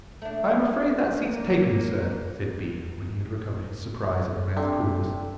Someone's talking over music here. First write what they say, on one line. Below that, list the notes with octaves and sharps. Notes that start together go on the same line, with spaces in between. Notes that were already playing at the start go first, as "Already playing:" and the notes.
"I am afraid that seat's taken, sir," said B. when he had recovered his surprise at the man's coolness.
A3 D4
A#3
C3 D4 A4